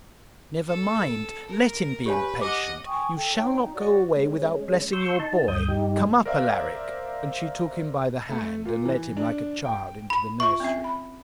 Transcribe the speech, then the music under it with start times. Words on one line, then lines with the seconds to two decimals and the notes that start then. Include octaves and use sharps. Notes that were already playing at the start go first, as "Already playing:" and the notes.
'Never mind; let him be impatient-you shall not go away without blessing your boy; come up, Alaric.' And she took him by the hand and led him like a child into the nursery.
0.69 A4
1.49 A#4
2.06 G4 B4 C#5 G#5
2.41 D#5 F#5 D6
2.86 G5 G#5 C#6 D#6
3.16 A4 G5
3.34 D#4 C#5 G5
3.60 D#4
3.73 F#4 C#5 D5
4.16 G#3 C#4
4.93 C6 C#6 E6 G6
5.20 D#4 A5
5.48 D2 G2 D#6 G6
5.68 G2 D#4 G4
6.25 A#4 C5 D5 E5 F5
8.29 A3
8.65 A#2
8.85 E3
9.17 D4
9.65 G5
10.10 B5
10.40 F4 E5 C#6
10.60 C4 C#4 E5
10.84 B5